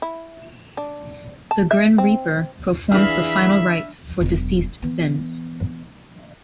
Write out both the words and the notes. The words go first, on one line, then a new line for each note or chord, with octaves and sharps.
The Grim Reaper performs the final rites for deceased Sims.
E4
D4
A5
E5
C4
E3 D4 G#4 E5 F5 B5 F6
E1 F#3
E3 B3